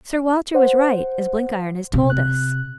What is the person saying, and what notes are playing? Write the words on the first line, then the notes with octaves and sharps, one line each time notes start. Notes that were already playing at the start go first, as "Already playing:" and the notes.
'Sir Walter was right, as Blenkiron has told us.
C5 F#5
C3
F#6